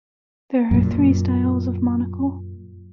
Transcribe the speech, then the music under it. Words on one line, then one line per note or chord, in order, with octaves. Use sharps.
There are three styles of monocle.
F#2 A#2